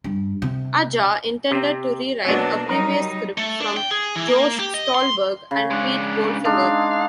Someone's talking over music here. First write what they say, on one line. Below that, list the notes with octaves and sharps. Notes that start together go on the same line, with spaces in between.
Aja intended to rewrite a previous script from Josh Stolberg and Pete Goldfinger.
G2
C3
C3 C4
B2 F#3 A#3 B3 D4
F#3 G3 D#4 A#4
A3
D4
G5
G#4
E3
A#3
G4
D#5
C6
C#3
G#3 D4
G#3 D4 D#4 F5